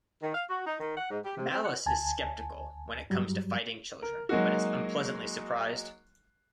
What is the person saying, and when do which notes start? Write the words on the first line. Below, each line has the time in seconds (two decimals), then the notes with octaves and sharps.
Malice is skeptical when it comes to fighting children but is unpleasantly surprised.
0.23 D#3
0.35 F5
0.49 F#4
0.67 D#4
0.80 D#3
0.97 F#5
1.11 G#2
1.25 G4
1.37 C3
1.51 C4
1.65 F#5
1.86 D2 G#5 A5
3.10 G2 F#3 G3
4.02 A#4
4.29 F#3 G#3 A#3 D#4 F#4